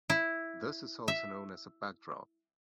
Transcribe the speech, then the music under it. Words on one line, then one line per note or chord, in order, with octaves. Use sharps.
This is also known as a backdrop.
E4
E5